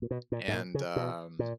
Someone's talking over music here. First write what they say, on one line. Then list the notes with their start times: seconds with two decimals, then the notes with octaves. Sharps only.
and, um
0.02 A#2
0.11 B2
0.32 A#2
0.48 G#2
0.54 A#2
0.74 C#3
0.96 B2
1.39 A#2